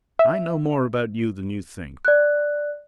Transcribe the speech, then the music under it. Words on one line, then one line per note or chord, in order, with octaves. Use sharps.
I know more about you than you think.
E5
D5 F#6